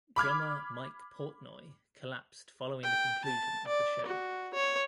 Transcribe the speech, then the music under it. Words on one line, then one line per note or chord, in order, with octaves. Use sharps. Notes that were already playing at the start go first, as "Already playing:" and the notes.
Drummer Mike Portnoy collapsed following the conclusion of the show.
B5 D6 F6 G#6
G5
A5
D5
F#4
C#5